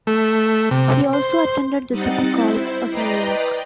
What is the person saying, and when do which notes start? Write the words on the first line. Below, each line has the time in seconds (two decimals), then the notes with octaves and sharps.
He also attended the City College of New York.
0.07 A3
0.71 C3
1.13 C5
1.90 G3 C4 D#4 D#5 F#5 A6
2.31 E4 C5
2.90 B4 D5 D#5 G5 A#5 C6